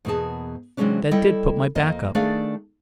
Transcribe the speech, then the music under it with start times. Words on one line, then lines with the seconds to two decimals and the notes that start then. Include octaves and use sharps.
That did put my back up.
0.05 E2 B2 A#3 B3 G#4 A5
0.77 C3 E3 F#3 G#3 C#4 D4
1.11 G3 E4 A4 D#5 G5
1.75 F2 A#3 D#5
2.15 D#3 A3 D4 G#4 D5 F5